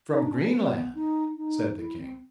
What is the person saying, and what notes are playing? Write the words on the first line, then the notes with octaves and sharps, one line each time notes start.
"From Greenland!" said the king.
D#4
D4
C#4
C4
B3
D#4
D#4
E4
C4